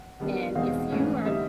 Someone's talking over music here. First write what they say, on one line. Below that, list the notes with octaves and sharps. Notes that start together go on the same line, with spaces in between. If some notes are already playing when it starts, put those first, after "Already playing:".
and if you are
Already playing: F#5
D#3 G3 B3 D4
E2 B2 G#3 C4 D#4 F5
G#2 E3 A3 C#4
D3 G3 C4 D#4 E5